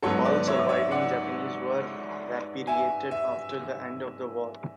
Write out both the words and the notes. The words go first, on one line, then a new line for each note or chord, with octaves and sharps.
All surviving Japanese were repatriated after the end of the war.
G#2 F#3 B3 A4 C#5
B4 D5
C#5 E5
C#5 E5
D5 F#5
E5 G#5
E5